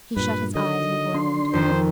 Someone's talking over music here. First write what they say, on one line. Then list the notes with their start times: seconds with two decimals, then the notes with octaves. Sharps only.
He shut his eyes and groaned.
0.17 G2 A#2 B4
0.55 D3 D#3 F#3 D#5
1.14 D4 C6
1.53 F2 D#3 C5